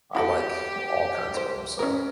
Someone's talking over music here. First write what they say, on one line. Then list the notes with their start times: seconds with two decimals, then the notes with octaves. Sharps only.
I like all kinds of 'em, so,
0.15 E4 F#4 G4 A4
1.34 E3 C5
1.79 C#4 E4 A#4